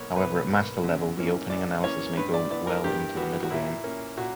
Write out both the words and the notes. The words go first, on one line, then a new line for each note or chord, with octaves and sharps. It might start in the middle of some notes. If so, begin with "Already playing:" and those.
However, at master level, the opening analysis may go well into the middlegame.
Already playing: B1 B2 A#3 C#5
B1 B4
B2 A#3
F#2
E3 A#3 C#4
F#2 D5
E3 A#3 C#4 C#5
G2 B4
D5
E3 B3 D5
A#4
G2 G4
E3 B3 F#4
F#4
A#2 E4
A#3 C#4
A#2 F#4